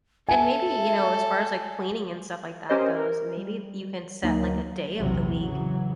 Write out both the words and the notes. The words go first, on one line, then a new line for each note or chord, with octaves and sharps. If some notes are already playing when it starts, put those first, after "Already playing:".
And maybe, you know, as far as, like, cleaning and stuff like that goes, maybe you can set, like, a day of the week.
A4 E5 G#5
C#4 G4 A#4 C5 D#5
A#4
G3
D2 F#3 A#3 D#4
A#1 E2 A2 C3 E3 F#3
C#3 E3 F#3